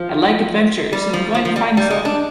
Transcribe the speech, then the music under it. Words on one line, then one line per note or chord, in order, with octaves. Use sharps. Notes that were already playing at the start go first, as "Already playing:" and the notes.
I like adventures, and I'm going to find some.
Already playing: F3
G3
F3
F3
F3
G3
G3
G#3
D4